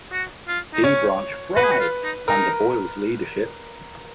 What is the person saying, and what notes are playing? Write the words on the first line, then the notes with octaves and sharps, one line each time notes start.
D Branch thrived under Boyle's leadership.
F#4
F4
D#4
C#4 C#5
F#4 B4
G#4
F#4
F4
D#4
D#4 A#4